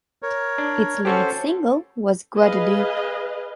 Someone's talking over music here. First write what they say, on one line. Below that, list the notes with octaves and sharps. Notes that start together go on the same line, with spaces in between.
Its lead single was "Guadalupe".
A#4 C#5
D4
C#4 F#4 G4 A4 C5
G#4 B4 D#5 F5